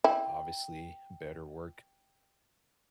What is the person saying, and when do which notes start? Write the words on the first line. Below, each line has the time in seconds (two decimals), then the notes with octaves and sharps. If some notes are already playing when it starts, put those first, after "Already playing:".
obviously, better work,
0.04 E4 G5